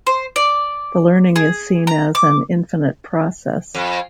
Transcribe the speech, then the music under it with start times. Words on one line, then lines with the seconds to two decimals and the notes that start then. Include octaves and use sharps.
The learning is seen as an infinite process.
0.07 C5
0.36 D5
1.36 G#4
1.87 A#5
2.15 D6
3.75 F2